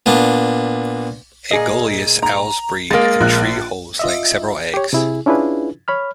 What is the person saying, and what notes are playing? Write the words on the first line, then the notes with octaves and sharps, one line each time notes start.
"Aegolius" owls breed in tree holes laying several eggs.
A#2 B3 D4
A#2 G#4 D#5
A#5
G#3 A#3 A6
A#1 F#6
F4 D#5 E5
G4 C#5
C3 E4 G#4
C#4 D4 E4 F4 G#4 B4
C#5 B5 F6